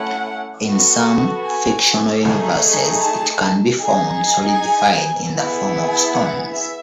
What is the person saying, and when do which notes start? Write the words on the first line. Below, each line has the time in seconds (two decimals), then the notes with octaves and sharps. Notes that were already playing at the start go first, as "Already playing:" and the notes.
In some fictional universes, it can be found solidified in the form of stones.
Already playing: A3 C#4 E4 F#5
0.66 B3 F#4 A4
1.44 G#5
2.22 A3 D#4 G#4
3.00 A5
3.78 D#4 G#4
4.56 G#5
5.35 B3 E4 G#4
6.13 F#5
6.51 E5